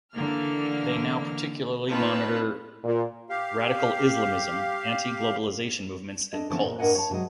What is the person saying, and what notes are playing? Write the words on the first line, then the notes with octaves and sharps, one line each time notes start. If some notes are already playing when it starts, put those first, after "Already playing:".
They now particularly monitor radical Islamism, anti-Globalization movements, and cults.
D3 E3 A#3 F6
C4 D#4 F4 B4 C#5 A5
A#2
G4 F5
D4 A4 D#5
D3 E3 F3 A3 B3 C#4
A#2
A2 D4 A#4 D#5 F#5 G#5
C#5 A5
C3 E3 F#3 G#3 D#5